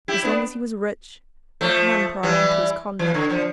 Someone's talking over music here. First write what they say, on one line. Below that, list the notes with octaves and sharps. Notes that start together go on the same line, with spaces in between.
As long as he was rich, none pried into his conduct.
E4 G4
B3 D4
F3 A3
E3 G3
E3
D3
D3 F3